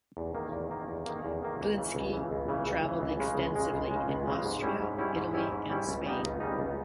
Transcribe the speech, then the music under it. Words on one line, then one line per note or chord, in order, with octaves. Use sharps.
Glinski traveled extensively in Austria, Italy, and Spain.
E2
D#3 A#3
E2
D#3 A#3
E2
D#3 A#3
E2
D#3 A#3
C#2
C#3 E3
C#2
C#3 E3
C#2
C#3 E3
C#2
C#3 E3
C#2
C#3 G#3
C#2
C#3 G#3
C#2
C#3 G#3
C#2
C#3 G#3
G#2
G3 C#4 E4
G#2
G3 C#4 E4
G#2
G3 C#4 E4
G#2
G3 C#4 E4
C#2
C#3 G3 B3 D#4
C#2
C#3 G3 B3 D#4
C#2